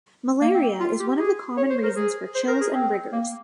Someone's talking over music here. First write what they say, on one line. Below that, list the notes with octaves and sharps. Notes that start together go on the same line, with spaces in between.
Malaria is one of the common reasons for chills and rigors.
A#3
C4
F4
G4
G#4
C#5
C5
A#4
G#4
C5
A#4
G#4
C4
A#3